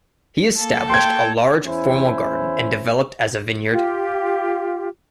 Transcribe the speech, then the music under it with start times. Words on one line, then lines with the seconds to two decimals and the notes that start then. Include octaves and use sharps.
He established a large formal garden and developed as a vineyard.
0.57 A#3 A4 A5
0.90 G5 C6 G#6
1.65 E2 C#4 E4 C5
3.70 F4 G4